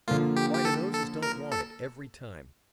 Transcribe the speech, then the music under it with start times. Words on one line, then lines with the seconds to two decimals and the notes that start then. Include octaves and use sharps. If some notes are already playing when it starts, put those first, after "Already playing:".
Why, to those as don't want it, every time.
0.08 D3 F3 A#3 F4
0.37 G4
0.54 G4
0.65 A4
0.94 A4
1.23 A#4
1.52 A4